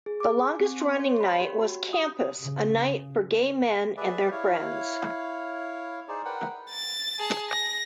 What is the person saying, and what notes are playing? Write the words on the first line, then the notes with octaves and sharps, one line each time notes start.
Its longest-running night was "Campus", a night "for gay men and their friends".
G#4
D6
G#5
C4
C6
C#5
B5
G4
F#4
D#6
C#3
G#4 B4 D5 E5
E4 C#5 F5
D#4 G#4 C5 D5
A#4 B4 F#5 G5
A6
G#4 A5
A#6